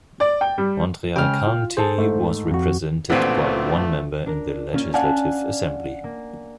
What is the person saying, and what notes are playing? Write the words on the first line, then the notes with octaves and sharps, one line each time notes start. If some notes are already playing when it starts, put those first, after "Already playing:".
Montreal County was represented by one member in the Legislative Assembly.
D5
G5
G3
C#3 G#3 G5 F6
F4
G#4 A4 C5 A5
G#2 A3
F2 F#4
A1 D2 A#2 D3 F3 A3 B3 C4
D4 A#4
A#3 C#4 F4
D5 F5 F#5 G#5 A5
A#3